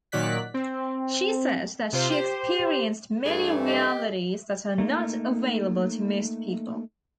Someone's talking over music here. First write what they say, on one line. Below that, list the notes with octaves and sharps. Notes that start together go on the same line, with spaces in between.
She said that she experienced many realities that are not available to most people.
A#2 D#3 F#3 D5 F#6 B6
C4
C3 F4 C5
G4 C5
G2 E3 A3 G#4
G4 D#5
A3 A#3 D#4